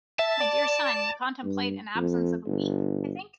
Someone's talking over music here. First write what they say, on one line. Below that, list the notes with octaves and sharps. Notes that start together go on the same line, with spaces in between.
My dear son, you contemplate an absence of a week, I think?
E5 A5
D5
G2
F2
G1